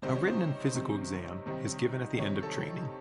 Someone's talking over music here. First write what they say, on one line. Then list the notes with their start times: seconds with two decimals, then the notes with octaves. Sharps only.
A written and physical exam is given at the end of training.
0.02 C3 D#3 G3 C4 D#4 C5
0.16 C#5
0.28 C5
0.74 C3 D#3 G3 C4 D#4
1.46 C3 D#3 G3 C4 D#4
2.19 C3 D#3 G3 C4 D#4 C#5
2.43 A4